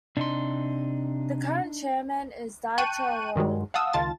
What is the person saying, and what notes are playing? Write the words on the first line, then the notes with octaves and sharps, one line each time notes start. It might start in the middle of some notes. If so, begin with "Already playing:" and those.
The current chairman is Dieter Rolle.
C3 D4 D#4 C6
G5 A5 C#6 F#6 D#7
G2 D#3 F#3 G#3
F5 F#5 A5 D#6 E6
C#2 D#3 F4 A5 A6